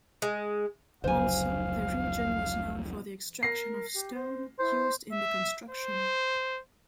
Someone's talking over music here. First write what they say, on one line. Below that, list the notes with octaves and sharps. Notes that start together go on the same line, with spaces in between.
Also, the region was known for the extraction of stone used in the construction.
G#3
F1 C#2 F#3 C5 F5 G#5
A#4 A#6 C7
G4
C5
E4 C5
E5
C5